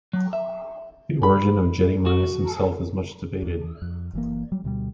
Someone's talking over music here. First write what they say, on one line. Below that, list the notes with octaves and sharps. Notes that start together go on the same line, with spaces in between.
The origin of Gediminas himself is much debated.
F#3
E5
B5
F#4
E2
F2
F#1 E3 A#3
F#3 G3
D2 B2 F#3 G3